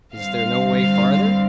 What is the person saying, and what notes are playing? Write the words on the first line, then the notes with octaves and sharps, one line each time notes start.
"Is there no way farther?"
G2 D3 G3 C4 F5
F5